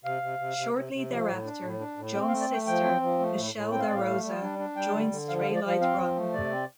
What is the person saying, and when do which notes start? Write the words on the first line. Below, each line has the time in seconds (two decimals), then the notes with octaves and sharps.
Shortly thereafter, John's sister, Michelle DaRosa, joined Straylight Run.
0.04 C3 F5
0.22 C3
0.39 C3
0.57 C3
0.75 C3
0.93 C3
1.10 F3
1.27 A2
1.44 D4
1.61 A2
1.79 D4
1.97 A2
2.14 C4 G5
2.28 F5
2.31 A3
2.41 D5
2.50 A3 G5
2.67 F3 G5
2.84 C4
3.01 F3
3.19 A3
3.36 A2
3.54 A2
3.71 C4 G5
3.79 F5
3.87 A2 D5
3.95 F5
4.06 A3
4.24 G3
4.42 D4
4.59 D4
4.76 G3 G5
4.94 D3
5.11 D3
5.29 F3 F5
5.42 F5
5.46 F3
5.55 D5
5.64 F3 F5
5.81 C4 F5
5.98 F3
6.17 A3
6.34 C3 D5
6.51 C4